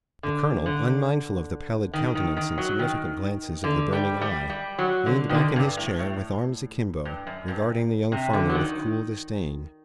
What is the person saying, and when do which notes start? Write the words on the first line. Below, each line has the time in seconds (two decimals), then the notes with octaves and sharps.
The colonel, unmindful of the pallid countenance and significant glances of the burning eye, leaned back in his chair, with arms akimbo, regarding the young farmer with cool disdain.
0.23 D3
0.66 D3
1.93 D#3
2.15 D#3
2.37 D#3
2.58 F#3
2.79 D#3
3.64 D3
3.93 G3
4.21 G3
4.50 G3
4.79 F#3
5.06 D3
5.29 D#3
5.35 D3
5.56 G2
5.77 A2
5.99 A2
7.05 G2
7.27 F#2
7.48 G2
8.12 C3
8.33 D3
8.50 F#3
8.55 D#3